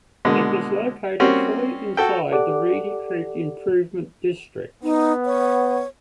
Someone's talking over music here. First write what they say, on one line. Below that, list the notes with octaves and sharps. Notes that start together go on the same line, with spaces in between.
It was located fully inside the Reedy Creek Improvement District.
B2 D3 G#3 A#3
G3 A#3 C4 C#4 F#4
F#4 A4 G5
G4 A4 D5 F#5 D6
B3 D#4
C#5